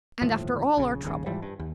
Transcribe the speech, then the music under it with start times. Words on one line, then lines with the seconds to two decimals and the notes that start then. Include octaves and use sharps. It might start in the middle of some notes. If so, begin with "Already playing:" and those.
'And after all our trouble!
0.22 G1 D#2 A2 F3
0.77 A#1 C#3
1.03 D#1 G#1 D#2 C#3
1.26 G#2 E3 F3 G3
1.42 G2
1.59 D#2